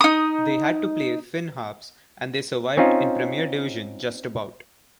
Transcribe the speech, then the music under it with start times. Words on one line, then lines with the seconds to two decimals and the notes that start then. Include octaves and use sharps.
They had to play Finn Harps and they survived in Premier Division just about.
0.01 D#4 D#6
2.77 C4 C#4 D#4 F4 C5